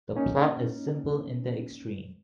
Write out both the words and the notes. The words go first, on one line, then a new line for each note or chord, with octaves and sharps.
The plot is simple in the extreme.
A#3 C#4 D#4